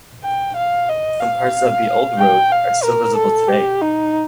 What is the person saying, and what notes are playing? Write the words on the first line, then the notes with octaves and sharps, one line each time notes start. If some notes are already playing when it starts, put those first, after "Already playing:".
Some parts of the old road are still visible today.
G5
F5
D#5
F5
G5
F5
A#4
A4
G4
D#4